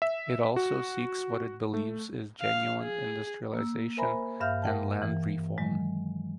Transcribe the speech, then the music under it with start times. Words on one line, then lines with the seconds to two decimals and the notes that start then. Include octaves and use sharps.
It also seeks what it believes is genuine industrialization and land reform.
0.02 E5
0.56 F#4
1.74 A3
2.41 F5
2.82 G#4
3.54 A#3 E6
3.97 A#4 C5 E5 G#5 A#5 B5
4.40 G2 E5 F5 F6 G6
4.62 A#4 F#5 G5 A5
5.02 E3
5.58 D#3 F#3 G#3